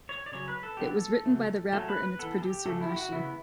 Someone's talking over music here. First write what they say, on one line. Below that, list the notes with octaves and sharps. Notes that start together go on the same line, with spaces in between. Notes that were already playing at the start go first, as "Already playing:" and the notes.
It was written by the rapper and its producer Nashi.
C#5
D5
C#3 F#3 C#4 C#5
B4
A4
D3 F#3 B3 G4
A4
C#3 F#3 A3
F#3 A3 C#4 A4
B4
B4
E3 B3 A4
A4
G4
C#3 F#3 A3 C#4 A4
E4
G4
F#4
C#3 E3 B3 E4